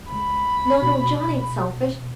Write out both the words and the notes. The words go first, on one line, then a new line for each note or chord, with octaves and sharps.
'No, no; John ain't selfish!
C#2 B5
B2